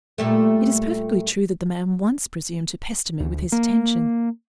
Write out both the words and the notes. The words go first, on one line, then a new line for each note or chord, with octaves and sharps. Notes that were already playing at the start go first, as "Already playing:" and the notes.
It is perfectly true that the man once presumed to pester me with his attentions.
A#2 G3 A3
D2
A#3